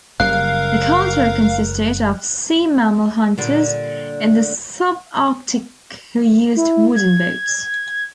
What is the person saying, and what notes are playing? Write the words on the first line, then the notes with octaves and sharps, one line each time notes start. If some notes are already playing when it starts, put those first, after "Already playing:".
The culture consisted of sea-mammal hunters in the subarctic who used wooden boats.
F#1 C#3 G3 A#4 F5 F#6
A#2 D3 G3
E4
G#6